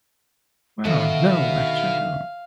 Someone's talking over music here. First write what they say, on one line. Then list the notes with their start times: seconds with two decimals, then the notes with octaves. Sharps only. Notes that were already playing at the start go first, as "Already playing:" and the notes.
Wow, no, I sure don't.
0.85 B2 D3 D#3 F#4 E5 F5